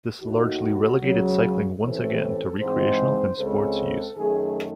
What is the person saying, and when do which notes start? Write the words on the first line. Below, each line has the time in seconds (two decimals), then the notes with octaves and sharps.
This largely relegated cycling once again to recreational and sports use.
0.22 D#2 D#3 A3 F#4
1.00 C#2 C#3 F#3
1.80 A1 A2 E3 C4 A4
2.59 G#2 E3 G#3 C4 C5
3.38 C#2 C#3 G#3 C4 A4
4.17 F#2 D#3 A3 G#4